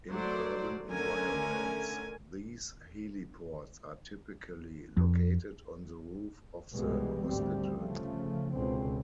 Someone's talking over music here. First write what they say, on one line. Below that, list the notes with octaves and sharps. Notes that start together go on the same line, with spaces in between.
In urban environments, these heliports are typically located on the roof of the hospital.
F#3 A3 C5 D5
D3 A3 C#4 A#4 G#5
F2
C2 G2 B2 E3 G3 G#3
G#1 D2 G3 C4
C#3 F3 A3
C#2 B2 D3 C4